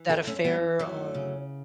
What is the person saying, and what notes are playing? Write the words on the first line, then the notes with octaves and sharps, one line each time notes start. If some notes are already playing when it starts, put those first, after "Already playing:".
that a fair, um,
Already playing: E3
F#2 F#4 A4
A3 C#4
E3 G3 B3
F#2 F#3 A3
C#3